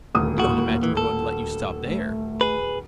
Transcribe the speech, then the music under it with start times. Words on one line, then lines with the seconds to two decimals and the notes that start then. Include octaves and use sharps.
"You don't imagine we're going to let you stop there?"
0.15 D#1 D2 A#3 D#6
0.38 A2 F#4
0.83 E3
0.97 A4
1.87 A3
2.41 G#4 B4